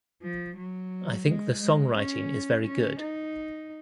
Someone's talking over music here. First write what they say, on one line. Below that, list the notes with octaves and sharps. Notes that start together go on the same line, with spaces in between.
I think the song writing is very good.
F3
F#3
G#3
G#3
C#4
C#4
D#4